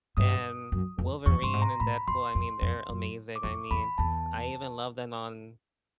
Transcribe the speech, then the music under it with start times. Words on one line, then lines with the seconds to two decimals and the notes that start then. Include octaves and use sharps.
and Wolverine and Deadpool, I mean, they're amazing. I mean, I even love them on
0.17 G2 D#6
0.72 F#2
0.99 F2
1.26 E2 C#6
1.42 G2 C6
1.54 G#2
1.62 A#5
1.80 A2 B5
2.08 F2 C6
2.35 F2
2.62 F2
2.89 F#2
3.36 D6
3.44 F2 C#6
3.71 E2 B5
3.98 E2 A5